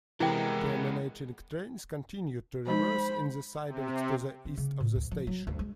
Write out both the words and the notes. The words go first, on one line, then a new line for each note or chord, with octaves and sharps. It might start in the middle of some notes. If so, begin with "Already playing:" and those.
Terminating trains continued to reverse in the sidings to the east of the station.
C3 E3 G#3 B3 E4 A#4 G5
F3 G#3 D#4 C5 B5
C3
C4
C#3
A2
D2
F3
F#3
D2
G#3